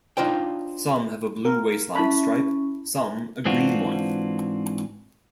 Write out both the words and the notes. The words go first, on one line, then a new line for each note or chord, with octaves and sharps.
Some have a blue waistline stripe, some a green one.
D4 D#4 F4 C5 G5
A#4
C#4 E4 A5 B5
G#2 E3 C4 D4 F4 F#4